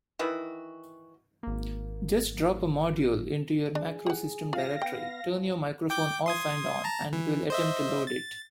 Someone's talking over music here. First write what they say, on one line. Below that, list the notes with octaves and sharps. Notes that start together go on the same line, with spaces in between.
Just drop a module into your MacroSystem directory, turn your microphone off and on, and it will attempt to load it.
D#3 E3 F#4
G#1 A#3
D4 G#4
G4 F#5
F4 F5 A#6
B3 G5
F3
G5 D6 G6
C6 D#6 G#6
A5 A#5
E3
C5 D#5 E5
A6